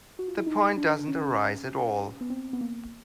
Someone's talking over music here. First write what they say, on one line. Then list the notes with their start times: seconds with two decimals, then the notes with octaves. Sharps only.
The point doesn't arise at all.
0.19 F#4
0.28 F4
0.37 E4
0.46 D#4
0.77 D4
1.08 C#4
2.21 B3
2.30 C4
2.53 B3
2.61 A#3